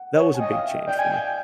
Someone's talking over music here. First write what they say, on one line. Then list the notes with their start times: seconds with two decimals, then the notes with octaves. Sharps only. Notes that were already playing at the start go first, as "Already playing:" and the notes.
that was a big change for me.
Already playing: F#5
0.15 C#5
0.34 G#5
0.38 D#5 G5
0.51 F5
0.63 E5
0.76 D#5
0.87 D5 G5
0.99 G#5
1.12 G5